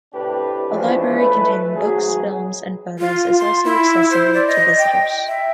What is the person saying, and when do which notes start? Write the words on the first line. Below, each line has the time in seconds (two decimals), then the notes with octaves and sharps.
A library containing books, films, and photos is also accessible to visitors.
0.14 A2 C3 D4 G4 B4
0.70 E3 F3 G#3 C#4 D4
1.17 A3 B4
1.75 G#1 F#3 G#4
2.99 F4
3.38 C6
3.64 E4
4.11 C5
4.34 D5
4.47 D#5
4.78 G5
5.27 E5